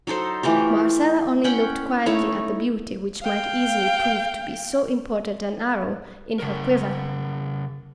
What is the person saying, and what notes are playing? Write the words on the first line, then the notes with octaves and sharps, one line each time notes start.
Marcella only looked quietly at the beauty which might easily prove to be so important an arrow in her quiver.
F#3 D#4 A4 C5
E3 A3 F4 G4
C#4 F#5 G5 B5
A3 D#4 E4 C#5
F5 G5
C#3 A#4